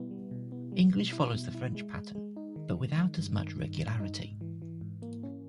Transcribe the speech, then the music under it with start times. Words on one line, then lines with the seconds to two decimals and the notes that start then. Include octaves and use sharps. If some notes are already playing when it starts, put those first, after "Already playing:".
English follows the French pattern, but without as much regularity.
Already playing: B2 G3 B3 E4
0.11 G3
0.31 B2
0.52 B3
0.72 G3
0.93 B2
1.13 E4
1.34 B2
1.55 E4
1.75 G#3
1.95 G#3
2.15 G#3
2.37 D#4
2.56 D#3
2.77 D#3
2.98 D#3
3.18 G2
3.39 D#3
3.59 G2
3.79 G2
4.00 D#4
4.20 G#2
4.41 E3
4.62 E3
4.81 G#2
5.02 A#3
5.23 C#4